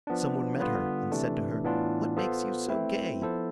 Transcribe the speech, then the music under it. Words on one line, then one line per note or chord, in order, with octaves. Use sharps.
Some one met her and said to her, "What makes you so gay?"
F3 B3 D4
D3 G3 B3 F4 B4
C3 E3 A3 D4
A2 E3 B3 D4 F4
B3 F4 A4 C5
A3 C4 E4 B4 E5
F3 B3 E4 A4 C5